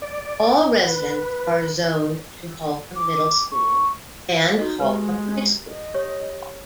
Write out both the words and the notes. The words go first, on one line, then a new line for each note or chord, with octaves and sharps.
All residents are zoned to Holcomb Middle School and Holcomb High School.
D5
B4
D6
C#6
D#4 F#4 A4 D#5
G#3 G4 A4 B4
D#5
G4 C#5